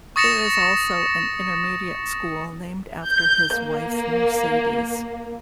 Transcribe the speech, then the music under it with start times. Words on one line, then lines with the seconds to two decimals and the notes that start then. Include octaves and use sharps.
There is also an intermediate school named after his wife Mercedes.
0.16 C#6 D#6 A6 A#6 C#7 E7
3.07 G6
3.59 A#3